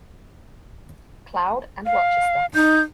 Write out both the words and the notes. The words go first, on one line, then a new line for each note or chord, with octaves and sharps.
Cloud and Rochester.
F5
D#4 G6